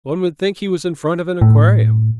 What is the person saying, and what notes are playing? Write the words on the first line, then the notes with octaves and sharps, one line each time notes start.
"One would think he was in front of an aquarium!"
A2